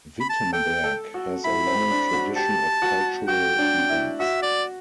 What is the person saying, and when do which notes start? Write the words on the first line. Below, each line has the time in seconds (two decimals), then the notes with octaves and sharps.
Wittenberg has a long tradition of cultural events.
0.20 B5
0.30 A5
0.53 A4 G5
0.84 A4
1.14 F#4
1.44 E4 B5
1.67 C4
1.91 D4
2.14 F#4
2.36 G4 A5
2.82 F#4
3.28 F#4 G5
3.59 D4
3.89 E4
4.20 F#4 E5
4.43 D5